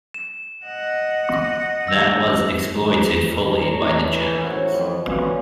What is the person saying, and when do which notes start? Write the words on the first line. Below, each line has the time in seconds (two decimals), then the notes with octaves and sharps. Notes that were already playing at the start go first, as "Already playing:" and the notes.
That was exploited fully by the Germans.
0.14 E7
0.65 D#5 F#5
1.87 E6 A#6
3.29 G#1 C#3 C#4 A4 A#5
3.58 A2 C#5 A5 A#5
4.06 E3
4.41 A1 E4 F#4 A#4 C5 C#5
4.71 F2 E3
5.03 F#4 B4 C#5 D5 F5 G#5